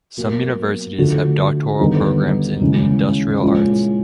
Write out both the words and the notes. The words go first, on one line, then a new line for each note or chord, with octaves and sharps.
Some universities have doctoral programs in the Industrial Arts.
B2 F#3 A#3
D3 F3 A3 D4 F#4
D#2 D3 G3 B3 D#4
D#2 C#3 E3 G#3 C#4
A#2 F3 G#3 C#4 E4